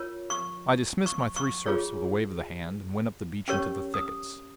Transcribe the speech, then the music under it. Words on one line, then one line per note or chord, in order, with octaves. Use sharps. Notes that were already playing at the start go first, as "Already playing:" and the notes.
I dismissed my three serfs with a wave of the hand, and went up the beach into the thickets.
Already playing: F4 A#4 C#5
C#6
C#6
C#6
F4 G#4 C#5
C#4 G4 A#4 C#5 C#6
D#6